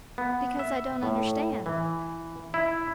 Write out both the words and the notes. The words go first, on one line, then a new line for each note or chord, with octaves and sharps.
"Because I don't understand."
B3
E5
A2
E3
E4